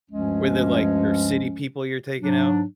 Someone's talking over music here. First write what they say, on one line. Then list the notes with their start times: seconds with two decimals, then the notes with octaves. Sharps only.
Were they, like, your city people you're taking out?
0.11 D2 G2 F3 G#3 C#4
2.21 G#2 F#3 D4